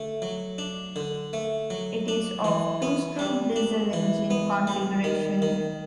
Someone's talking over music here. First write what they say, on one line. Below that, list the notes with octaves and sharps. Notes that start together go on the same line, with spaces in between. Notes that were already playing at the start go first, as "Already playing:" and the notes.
It is of two-stroke diesel engine configuration.
Already playing: D3 A3
F#3
D4
D3
A3
F#3
D4
E3
B3
G3
D4
E3
B3
G3
D#3
D#3